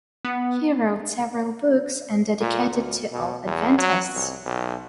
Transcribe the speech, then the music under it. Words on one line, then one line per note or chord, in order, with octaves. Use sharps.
He wrote several Books and dedicated to all Adventists.
B3
A#2
D2
B2
E2
F#3
C2
B1